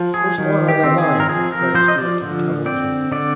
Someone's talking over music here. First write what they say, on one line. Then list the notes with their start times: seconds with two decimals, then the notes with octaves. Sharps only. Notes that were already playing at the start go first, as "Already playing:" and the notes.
"Pour some water on that line!" cried the steward to the tub oarsman.
Already playing: F3
0.14 G#4
0.38 D#3
0.68 G4
0.83 C4
0.98 G#4
1.20 A#4
1.28 F3 G#4
1.52 A#4
1.74 F3 C5
1.88 D#5
1.98 D5
2.21 D3
2.66 C4 D5
3.12 D3 D5